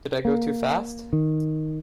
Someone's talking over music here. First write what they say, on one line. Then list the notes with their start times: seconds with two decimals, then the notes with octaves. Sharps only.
Did I go too fast?
0.25 A#3
1.13 D#3